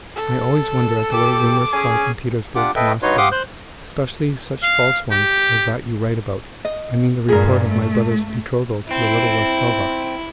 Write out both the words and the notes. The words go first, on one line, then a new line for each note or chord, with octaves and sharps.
I always wonder at the way rumors fly from Petersburg to Moscow, especially such false ones as that you write about--I mean the report of my brother's betrothal to the little Rostova.
A4
G4 D6
C#4 G#4 G#5
D4 F4 G4 F#5 D6
A4 B4 D#5 E5 G5
G2 D#4 F#4 B4 C#5 C6
G4 F5 F#5 C6 D6 D#6
C5 F#6 G6
F5
G4
D#5
G2 A#2 G#4 A#4
A3
C4 E4